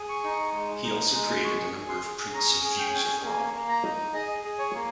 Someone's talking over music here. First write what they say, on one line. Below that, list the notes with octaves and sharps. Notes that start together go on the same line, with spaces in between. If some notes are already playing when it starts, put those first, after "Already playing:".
He also created a number of prints of views of Rome.
Already playing: G#4
C#6
D#4
G#3
D#4
G#3
G#4 C#6
G#4
C6
G#4
C#4 A#5
G#4
G5
G#5
C#4 G5
A#3 G#5
A#3
A#5
D#4
G#4 D#5
G#4
C#5
A#3